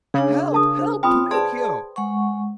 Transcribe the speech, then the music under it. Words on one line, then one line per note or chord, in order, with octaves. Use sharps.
"Help, help, Pinocchio!"
C#3 D4 G#4
A#4 A5 D#6
C5
C4 F4 G5 B5 D#6
G#4 B4 C5 D5 A5 C6
G#3 F#5 C#6